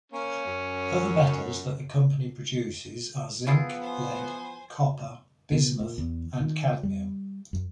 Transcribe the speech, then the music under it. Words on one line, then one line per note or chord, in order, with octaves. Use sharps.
Other metals that the company produces are zinc, lead, copper, bismuth, and cadmium.
A#3 C#4
F#2
E3 F3 B3 E4 F4 G#4
C5 G#5
B2
A#2
E2
D#3
G3
F#2